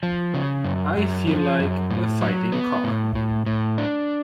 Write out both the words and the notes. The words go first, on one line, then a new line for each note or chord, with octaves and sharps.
I feel like a fighting cock.
F3
C#3
F#2
F#2
F3
F#2
A2
F#3
B3
A2
A2
A2
D4